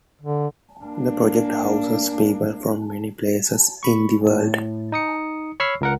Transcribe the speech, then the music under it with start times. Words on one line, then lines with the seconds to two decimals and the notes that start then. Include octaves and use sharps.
The project houses people from many places in the world.
0.22 D3
0.84 A#3 D4
3.83 B5 C#6
4.31 A2
4.92 D#4 D#6 C#7
5.60 C#5 B5 C#6 E6 F6 C7
5.81 C#2 A#4 F#5